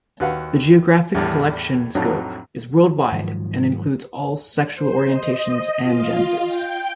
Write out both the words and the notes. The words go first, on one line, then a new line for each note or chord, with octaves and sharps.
The geographic collection scope is worldwide and includes all sexual orientations and genders.
D#2 F#4 B4 F5 F#5
E2 A2 G3
F2 A2 F#3 D4 D#4
G#2 D#3 F3 F#3
C5
D#5
F4
G5